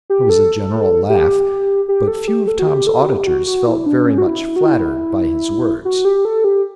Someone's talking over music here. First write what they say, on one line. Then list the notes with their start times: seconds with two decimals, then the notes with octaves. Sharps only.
There was a general laugh, but few of Tom's auditors felt very much flattered by his words.
0.10 G4
0.29 A4
1.09 G4
1.88 G4
2.08 A4
2.28 G4
2.48 A4
2.59 F#4
2.67 G4
2.87 A4
3.02 F#4
3.07 G4
3.27 F#4
3.47 F#4
3.67 E4
3.86 D4
4.06 C#4
4.18 F#4
4.27 E4
4.56 F#4
4.66 E4
5.85 F#4
6.05 G4
6.25 A4
6.44 G4